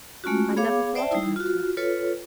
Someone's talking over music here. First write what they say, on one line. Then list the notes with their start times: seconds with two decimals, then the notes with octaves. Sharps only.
'I never thought about her.
0.24 G#3 A3 C#4 F4 F#4
0.56 B3 G#4 C#5 F5 D6
0.95 C5 D5 E5 G5 A5
1.11 G3 D#4 E4
1.36 F4 F#4
1.77 F4 A4 B4 C#5